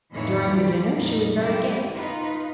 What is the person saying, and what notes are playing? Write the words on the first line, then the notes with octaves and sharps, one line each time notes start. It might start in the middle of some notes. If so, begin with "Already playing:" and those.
During the dinner she was very gay.
F2 A2 D#3 E3 C#5
A#2 G4
F2 A#2 G3 A#3 D#4
F#2 C3 G#3 E4 G4
D#4 F4 B4